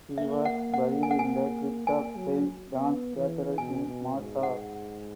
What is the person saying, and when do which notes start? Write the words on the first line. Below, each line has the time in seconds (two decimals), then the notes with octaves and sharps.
He was buried in the crypt of Saint John's cathedral in Warsaw.
0.17 A#3 E5
0.45 F#5
0.74 F#5
1.03 G#5
1.11 F#5
1.19 G#5
1.87 A#3 G#5
2.16 F#3
2.73 B3
3.16 E3
3.58 B2 G#5
3.87 B2
4.15 G#2
4.43 F#5